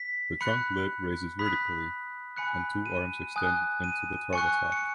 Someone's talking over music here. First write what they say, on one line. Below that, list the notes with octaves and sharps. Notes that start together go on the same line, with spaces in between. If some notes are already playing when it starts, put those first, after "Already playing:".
The trunk lid raises vertically and two arms extend into the targa top.
Already playing: B6
B5 F#6 C#7
B5 D#6 F#6 B6
G#5 B5 F#6 C#7
D#7
G#5 D#6 F#6
D#7
G#5 C#6 F#6 C#7
C#7